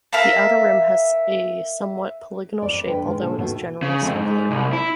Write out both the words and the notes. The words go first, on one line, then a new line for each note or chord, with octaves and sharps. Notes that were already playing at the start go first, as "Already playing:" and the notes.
The outer rim has a somewhat polygonal shape, although it is generally circular.
A#4 E5 F5 A5
F2 D5
F2 D3 B4 G5
D#3 G#3
A#2 C#3 A#3 D4 A4
D#2 B2 D#3 A3 F#4
C#3
F2
G#2
C2
E4